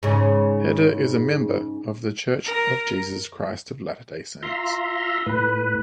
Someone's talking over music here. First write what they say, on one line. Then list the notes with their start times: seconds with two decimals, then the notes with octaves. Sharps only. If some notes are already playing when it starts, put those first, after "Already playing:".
Heder is a member of The Church of Jesus Christ of Latter-day Saints.
0.03 G#2 C#3
2.45 A#4
4.43 F4 E5 A#5 C6
5.26 A2 B4